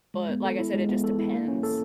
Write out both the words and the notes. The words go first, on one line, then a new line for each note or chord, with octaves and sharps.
but, like I said, it just depends.
G#3
B3
A4
E4
G#3
B3
A4
E4
A#3
C#4
A4